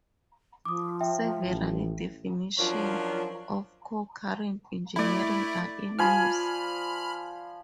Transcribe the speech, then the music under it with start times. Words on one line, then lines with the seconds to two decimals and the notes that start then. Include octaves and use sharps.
Several definitions of concurrent engineering are in use.
0.65 F3 D6 D#6
1.00 E5 G5
1.46 A1
2.59 F3 F#3 C#4 D4 F4 A#4
4.96 A3 E4 D5 B5
5.99 F3 G#5 B5 F6